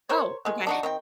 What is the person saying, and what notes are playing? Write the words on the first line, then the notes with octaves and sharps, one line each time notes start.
Oh, okay.
A#4 C5 C#5
D#3 G#3
D4 D#4 F#4
D#3 C4 G5